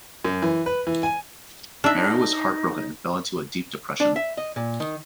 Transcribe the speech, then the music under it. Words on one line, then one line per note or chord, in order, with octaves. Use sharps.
Mary was heartbroken and fell into a deep depression.
F#2
E3
B4
E3
G#5
D4 D#4 E5
D4
E5
D#5
A#2
D#3